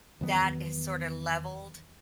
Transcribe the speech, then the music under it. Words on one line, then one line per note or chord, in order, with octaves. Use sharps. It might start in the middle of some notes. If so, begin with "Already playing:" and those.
That is sorta leveled
E2 D#3 F#3 B3